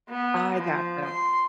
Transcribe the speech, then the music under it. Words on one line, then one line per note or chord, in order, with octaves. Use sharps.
I gotcha.
B3
F3
C6